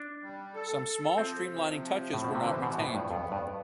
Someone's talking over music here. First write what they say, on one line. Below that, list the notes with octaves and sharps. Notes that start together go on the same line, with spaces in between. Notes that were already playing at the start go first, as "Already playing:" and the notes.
Some small streamlining touches were not retained.
Already playing: D4
G3
A4
A4
F3 C4
C3
F3
A2 F3
B2
C3
D3 E3
B2
A2 B3
G2
F2 B3
G2